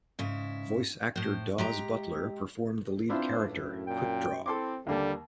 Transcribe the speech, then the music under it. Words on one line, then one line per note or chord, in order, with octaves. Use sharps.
Voice actor Daws Butler performed the lead character, Quick Draw.
G#2 C#3 E4
A2 C5
G#3 G4 A#5
C4 D4 E4 F4 B4 C5
F#2 A2
A#2 G5
C4 E4 A4 C6 D6
D#2 D3 G3 A#3 A5